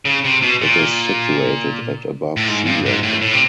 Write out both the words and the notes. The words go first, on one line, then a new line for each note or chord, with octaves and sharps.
It is situated at above sea level.
C#3
C3
B2
A#2
A2
G#2
G2
G#2
A2
A2
C3